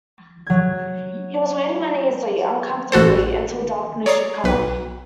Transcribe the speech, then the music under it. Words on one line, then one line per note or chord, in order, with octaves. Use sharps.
He was waiting uneasily, uncomfortably, until darkness should come.
F#3 G#6
A1 F#4 A4 C5
C#5 D5 A#5 D#6 C7
B1 B4